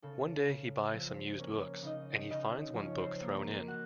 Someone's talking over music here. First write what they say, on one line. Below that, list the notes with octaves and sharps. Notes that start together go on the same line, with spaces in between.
One day, he buys some used books, and he finds one book thrown in.
C#3 A4
C#3
F3 C4 C5
A#3 C#4 C#5
C#3 D#4 D#5
C#3 D#4 D#5
F3 C#4 C#5
C4 C5
A#3 A#4
F#4 F#5